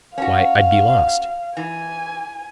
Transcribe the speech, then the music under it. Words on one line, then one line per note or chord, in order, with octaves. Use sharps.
Why, I'd be lost.
C#4 F#4 F5
E3 G#5